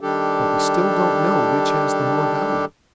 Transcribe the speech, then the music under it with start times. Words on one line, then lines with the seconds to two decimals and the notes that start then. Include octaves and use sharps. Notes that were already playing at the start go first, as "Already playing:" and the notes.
But we still don't know which has the more value.
0.01 D#3 G3 D4 G4 A4